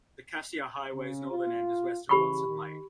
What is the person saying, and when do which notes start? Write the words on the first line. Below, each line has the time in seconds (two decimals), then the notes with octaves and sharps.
The Cassiar Highway's northern end is west of Watson Lake.
0.93 C#3 C#4
1.30 F4
2.09 C#3 E3 G4 B5 C#6
2.46 D#3